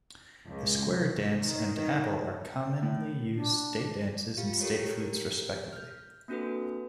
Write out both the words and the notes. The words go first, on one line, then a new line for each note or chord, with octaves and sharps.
The square dance and apple are commonly used state dances and state foods, respectively.
C#2
C2
D#3
D#3
A2
D4
F4 G4 F5
G4 A4 A#4 C#5
G4 A#4
F6 G6
A#3 C4 D4 F#4 A4 B4